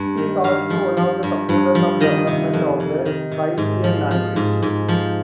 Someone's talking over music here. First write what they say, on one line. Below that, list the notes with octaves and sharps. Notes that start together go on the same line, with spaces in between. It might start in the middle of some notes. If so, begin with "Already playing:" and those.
He is also one of the supporters of development of the Silesian language.
Already playing: G2
D#3
G2 F5
F3
F3
G2
G2
F3
D#3 D#5
C3
F2
F2
D#3
C3
G#2
F3
F3
G#2
G#2
F3